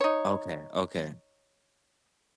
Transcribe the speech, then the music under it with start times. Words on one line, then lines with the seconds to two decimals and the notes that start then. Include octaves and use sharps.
Okay, okay.
0.01 D#4 C#5